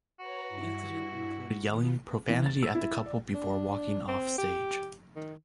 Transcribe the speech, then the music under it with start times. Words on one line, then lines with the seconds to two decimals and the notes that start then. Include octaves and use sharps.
The incident included yelling profanity at the couple before walking off stage.
0.19 F#4 B4 C#5 A#5
0.48 G2 E4
1.63 D#3 B3 F4
2.29 E3
2.46 A6
2.63 E6
2.75 E4
3.06 D5
3.34 D4
4.08 C4
4.38 G4
5.16 D#3